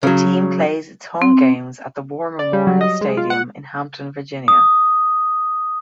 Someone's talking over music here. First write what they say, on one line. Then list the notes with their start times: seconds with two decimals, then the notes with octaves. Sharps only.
The team plays its home games at the War Memorial Stadium in Hampton, Virginia.
0.03 C#3 F#3
1.22 C4
2.39 D5
2.53 G3
2.67 F#3
2.81 D#5
3.01 G#3
3.17 F4
3.30 F#5
4.48 D#6